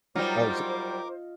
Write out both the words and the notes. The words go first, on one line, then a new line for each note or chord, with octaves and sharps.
Oh, so
F#3 G3 D#4 F4 A#4 C5 D#5 D6